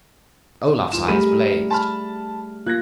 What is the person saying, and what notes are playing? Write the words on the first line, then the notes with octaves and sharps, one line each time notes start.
Olaf's eyes blazed.
D#1 F4 E7
G3 A3 G#4 A#4 B5 D#7
A5 B5 F6
A#3 F4 F#6 G#6 A#6